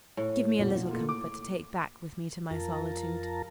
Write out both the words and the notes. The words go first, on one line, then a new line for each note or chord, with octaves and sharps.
Give me a little comfort to take back with me to my solitude.
A2
F2 B2
B2 F3
A#3 F4 A4
D6
F2 F4 A#4 A5 A#5